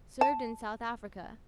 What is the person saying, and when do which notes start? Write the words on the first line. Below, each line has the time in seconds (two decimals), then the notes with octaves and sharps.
Served in South Africa.
0.21 A5